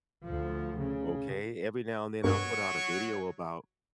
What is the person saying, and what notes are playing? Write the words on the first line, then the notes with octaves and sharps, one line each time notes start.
Okay? Every now and then, I'll put out a video about
D2 F3
C#3
G2 B2 F#3 A#3 C#6